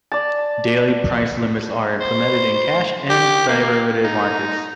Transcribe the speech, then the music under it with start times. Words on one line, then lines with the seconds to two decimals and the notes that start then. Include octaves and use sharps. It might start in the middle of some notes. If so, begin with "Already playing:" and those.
Daily price limits are implemented in cash and derivative markets.
0.12 D5 A5
2.00 C5
3.09 G4
3.48 A#3
4.04 D#4